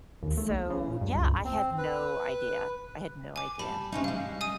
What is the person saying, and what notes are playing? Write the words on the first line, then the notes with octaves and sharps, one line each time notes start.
so, yeah, I had no idea. I had no idea.
D#2
A3
B1
C#3
A#1
G2
C#2
C4
B4
G#5 D6
G3 A5 B5
C3 C#4 D#4
G3 G#3 F5
G#5 D#6 D#7